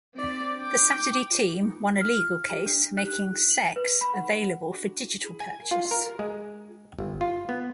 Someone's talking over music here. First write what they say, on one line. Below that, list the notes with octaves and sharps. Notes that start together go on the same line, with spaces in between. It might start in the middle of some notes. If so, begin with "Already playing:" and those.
The Saturday Team won a legal case, making "Sex" available for digital purchase.
C4 D5
G5 D6
F6
D4
F#6
F#7
B4
B5
F#5
G#5
F4
A#4
G#3
G1
F4
B3